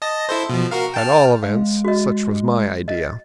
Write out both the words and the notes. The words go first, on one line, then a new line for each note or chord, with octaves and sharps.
At all events, such was my idea.
D#5 A5 A#6
E4 A4 C5
B2 F3
F#4 A#4 F5
G5 A5 F6
G#3 F5
F#4 D#5
D#5